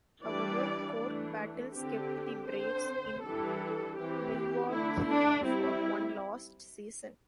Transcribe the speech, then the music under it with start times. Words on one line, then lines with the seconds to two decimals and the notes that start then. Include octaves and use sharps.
However, court battles kept the Braves in Milwaukee for one last season.
0.25 E3 G3 D4 D5
0.99 E3 A3 D4
1.73 D3 C4 G4
2.48 D3 C4 C5
3.22 E3 G3 D4 A4
3.96 E3 C4 G4
4.70 D3 A3 D4 E4
5.07 D4
5.44 G3 C4 E4